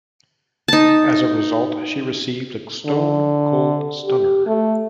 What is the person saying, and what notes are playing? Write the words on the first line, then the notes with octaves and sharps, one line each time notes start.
As a result she received a Stone Cold Stunner.
D#4 A5
D3
G4
A3